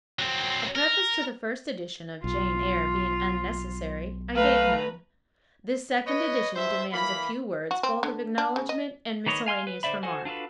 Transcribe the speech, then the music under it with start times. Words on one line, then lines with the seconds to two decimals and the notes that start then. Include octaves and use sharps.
A preface to the first edition of "Jane Eyre" being unnecessary, I gave none: this second edition demands a few words both of acknowledgment and miscellaneous remark.
0.19 F#3 C4
0.75 A#4
2.24 B1 F4
4.36 A3 B4 F5 A#5
6.06 B4 C#5 D#5
6.55 G2 C5 E5
6.92 E3 A#3 B5
7.71 F#4
7.83 C4
8.03 D3
8.38 D4
8.56 C#3
8.69 D#5
9.26 D#3 A#3 B4 C#5 D#5
9.46 F5 G#5 C6 F6
9.67 B4
9.83 D3 C5 D5 E5 B5
10.03 F#4 A4 C5 F#5 G#5
10.25 D4 F4 F#4 A4 B4